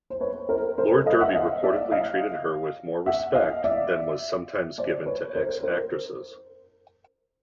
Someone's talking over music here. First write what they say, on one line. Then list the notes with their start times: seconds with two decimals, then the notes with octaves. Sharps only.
Lord Derby reportedly treated her with more respect than was sometimes given to ex-actresses.
0.10 C5
0.21 B4 C#5
0.49 A#4 C5
0.78 A#4 C5
0.92 A4 B4
1.06 D#5 F5
1.21 E5 F#5
1.34 D#5 F5
1.64 D5 E5
1.92 D#5 F5
3.06 E5 F#5
3.35 D#5 F5
3.64 D5 E5
4.78 C5 D5
5.06 B4 C#5
5.35 A#4 C5
5.63 A#4 C5